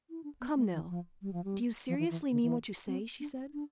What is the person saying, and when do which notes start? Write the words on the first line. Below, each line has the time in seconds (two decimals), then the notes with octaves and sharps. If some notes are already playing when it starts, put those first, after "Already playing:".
"Come, now, do you seriously mean what you say?" she said.
0.10 E4
0.24 D4
0.41 B3
0.56 A3
0.73 E3
0.89 F3
1.22 G3
1.33 F3
1.44 G3
1.89 F3
1.99 E3
2.10 E3
2.32 D3
2.43 E3
2.87 C4
3.20 D4
3.54 D4